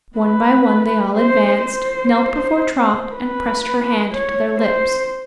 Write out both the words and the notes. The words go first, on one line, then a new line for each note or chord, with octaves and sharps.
One by one they all advanced, knelt before Trot and pressed her hand to their lips.
B4
C5
C5
B4
C#5
C5